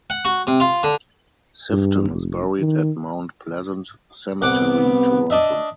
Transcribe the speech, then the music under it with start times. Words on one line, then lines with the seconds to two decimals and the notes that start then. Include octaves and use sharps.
Sifton is buried at Mount Pleasant Cemetery, Toronto.
0.10 F#5
0.25 F#4
0.47 C3
0.60 F4
0.83 D3
1.71 G2
2.11 F1
2.60 D#3
4.42 C2 B3 F#5 D6
5.30 D4 D#5 E5